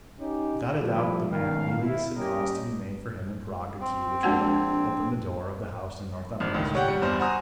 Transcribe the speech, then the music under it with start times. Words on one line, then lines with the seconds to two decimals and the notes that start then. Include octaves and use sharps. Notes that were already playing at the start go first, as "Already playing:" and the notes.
Without a doubt the man Mealyus had caused to be made for him in Prague a key which would open the door of the house in Northumberland Street.
0.19 C#4 D#4 G4
0.81 G2 F3 A3 E4
1.32 B1 D#3 A#3 C#4 F5
1.81 E4
2.16 G3 A#3 C#4 G4 A#4 D#5
3.80 C4
4.23 A#1 G#3 D4 F#4 F#5 A5 G#6
6.40 G#1 D4 F6
6.54 C#2 A2 D#3
6.74 G4 C#5 D5 F#5 G5
6.88 G3 C#7
7.01 E2 G2 C5 D5 F6
7.20 F#4 C5 G#5 A#5 D#6